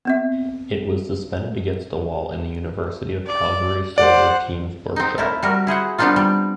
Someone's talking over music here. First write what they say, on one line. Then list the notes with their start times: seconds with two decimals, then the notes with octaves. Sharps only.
It is suspended against a wall in the University of Calgary Solar Team's workshop.
0.05 B3 C4 E5
3.27 D5
3.98 C5 D5 F#5
4.96 C4 D#4
5.18 A3 E4 A#4
5.43 G3 F#4 A#4
5.67 E4 G#4 C5 F#5
5.98 G3 B3 C4 D4 D#4 F4
6.16 G3